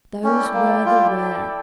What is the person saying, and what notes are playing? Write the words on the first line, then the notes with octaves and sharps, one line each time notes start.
Those were the words!
C#4 E4 A4 D5 G5
A#3
F4